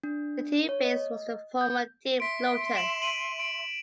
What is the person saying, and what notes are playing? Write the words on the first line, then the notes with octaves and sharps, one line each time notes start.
The team base was the former Team Lotus.
D4
C#5
D#5
G6
E5 C6 B6 D7
D7 E7 F#7
D#7 F#7
D7